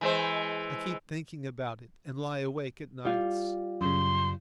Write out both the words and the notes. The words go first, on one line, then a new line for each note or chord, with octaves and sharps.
I keep thinking about it and lie awake at nights.
E3 G#3 C5
G3 F4
F#2 C#3 C6